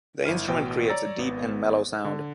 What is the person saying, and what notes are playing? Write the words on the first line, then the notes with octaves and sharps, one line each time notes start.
This instrument creates a deep and mellow sound.
G1 E4 F6 D#7
A1 B2 G5
C#5 D5 A#5 E6 A6 A#6
G#1 B3
D3